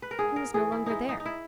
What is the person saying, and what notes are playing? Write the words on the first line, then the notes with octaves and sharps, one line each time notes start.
He was no longer there.
B4
A#4
G#2 G#4
A#4
E3 G#4
E4
G#3 D#4 E4
D#4
D#4
E4